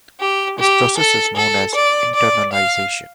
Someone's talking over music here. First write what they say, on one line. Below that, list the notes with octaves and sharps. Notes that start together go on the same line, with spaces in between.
This process is known as internalization.
G4
G4
A4
A4
D5
D5
F5